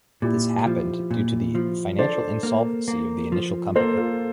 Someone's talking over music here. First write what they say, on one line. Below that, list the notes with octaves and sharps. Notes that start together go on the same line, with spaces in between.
This happened due to the financial insolvency of the initial company.
A#2 E4 G4
F3
A#2
F3
D4 A4 C5
A#3
A#3
F3
A#3 A4 C5
F4 A4